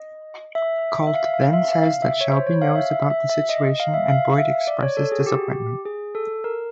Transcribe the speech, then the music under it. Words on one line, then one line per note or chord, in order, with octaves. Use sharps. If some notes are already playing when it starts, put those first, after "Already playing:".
Colt then says that Shelby knows about the situation and Boyd expresses disappointment.
Already playing: D#5
E5
E5
F5
F5
E5
F5
E5
C#5
C5
C#5
F5
E5
E5
E5
E5
D#5
D#5
F5
E5
F5
F5
E5
D5
C#5
A4
G#4
F#4
G4
G#4
A4
A#4